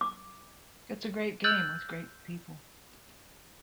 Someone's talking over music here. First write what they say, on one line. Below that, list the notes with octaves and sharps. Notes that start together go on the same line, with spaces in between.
It's a great game with great people.
D6
E6 F#6 G6 A6 F#7